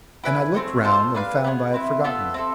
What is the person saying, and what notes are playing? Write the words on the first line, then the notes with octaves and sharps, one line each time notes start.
And I looked round, and found I had forgotten them.
E4 B4 D5 G#5
A3 C4 G#4
F4 A4 C5
D4 G#4 B4 F5
B3 F4 G#4
C4 E4 B4
B3 F4 A4 E5
C4 E4 A4